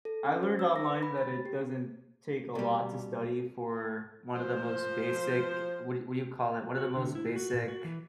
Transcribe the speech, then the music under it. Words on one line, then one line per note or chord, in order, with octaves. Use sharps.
I learned online that it doesn't take a lot to study for one of the most basic, what what do you call it, one of the most basic
A4
C#4
C5
E6
A#6
B4
B5
A6
G4
B2 G3
F3 C5
F#4
D3
E4
F#4
A#2
F#4
E3